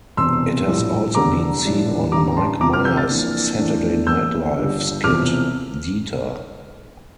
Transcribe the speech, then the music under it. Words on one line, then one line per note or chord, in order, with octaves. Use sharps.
It has also been seen on Mike Myers "Saturday Night Live" skit "Dieter".
E1 E2 C3 C6 E6
A#1 A2 G3
F1 E2 D3 G3 A#5 D6
A#1 A2 G3 D4
A1 G2 D3 G3 A#5 D6
A#5
A5 C6
C2 C3 F3 C4 A#5 D6
D6 F6
E6 G6
F6 A6
F2 E3 A#3 D4
E2 E3 A3 D4
E2 E3 A#3 E6 G6
G1 G2 D3 G3
E1 E2 C3 F3 D6 F6